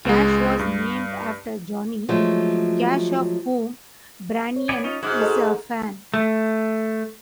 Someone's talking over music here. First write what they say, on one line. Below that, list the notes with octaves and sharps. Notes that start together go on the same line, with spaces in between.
Cash was named after Johnny Cash, of whom Branyan is a fan.
C#2 G#3
G2
F3 F#3 G#3 A3
C#5
B3 D5 G#5
C#4 D#4 F4
G#2 F#4 D6 F6 F#6 G#6
A4 D#5 G#5
A3